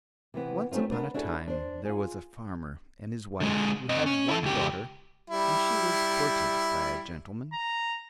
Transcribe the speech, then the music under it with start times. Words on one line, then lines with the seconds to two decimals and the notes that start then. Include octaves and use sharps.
Once upon a time there was a farmer and his wife who had one daughter, and she was courted by a gentleman.
0.34 C3 E3 B3
0.71 A3 C4 C#4 D#4 F4
0.91 B3 D4 A#4 B4
1.14 D4 E4 F#4 G#4 A4
1.48 D4 C5
1.85 F4 G#4
3.40 D3 G#3
3.89 C4 D#5
4.06 C#4
4.28 E4 A4
4.43 C#2 G4
5.30 G3 E4
7.53 A#5